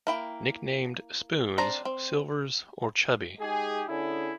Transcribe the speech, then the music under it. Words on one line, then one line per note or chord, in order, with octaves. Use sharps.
Nicknamed Spoons, Silvers or Chubby.
A#3 E4 G5
C4 D4 C5 D5 A#5
C4
G#3 D#4 G4 G#4
D3 C#4 E4 G#4